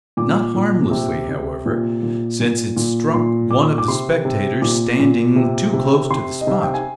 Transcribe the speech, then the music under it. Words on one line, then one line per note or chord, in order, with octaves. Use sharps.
Not harmlessly, however: since it struck one of the spectators standing too close to the spot.
A#2 D6
A#2
C3
C3
A#2
A#2
A#2
A#2
A#2 C6
A#2 D6
D6
C3 C6
C3
A#2 D6
A#2
C3
C3
C3 C6
D#5
C3 F5
G5
G#5